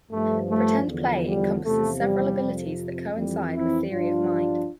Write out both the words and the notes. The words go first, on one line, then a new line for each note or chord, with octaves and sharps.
Pretend play encompasses several abilities that coincide with theory of mind.
G2 F3 A3
A3
E2 D3 F3
G3
E2 C3 F3 A3
G3
F2 C3 F3
F2 E3 G3
C4 E4
G2 F3 D4 F4